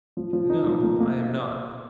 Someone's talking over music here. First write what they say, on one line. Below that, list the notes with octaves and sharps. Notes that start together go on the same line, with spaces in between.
"No, I am not."
F3
F3
D#4
F3
A#3
A#3